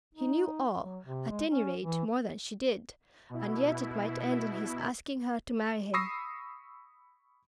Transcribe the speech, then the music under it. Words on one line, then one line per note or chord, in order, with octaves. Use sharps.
He knew all--at any rate, more than she did--and yet it might end in his asking her to marry him.
D#4
F#3
C3
G#3
C#4
E3
B2 E4
B5 C#6 D#6 E6 A#6 C7